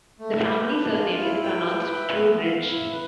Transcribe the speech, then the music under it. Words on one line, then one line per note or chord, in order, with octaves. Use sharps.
The family surname is pronounced "Troobridge".
A3
B4
D4
F4
E4
G5
B4
E5
B3
F5
E4
B4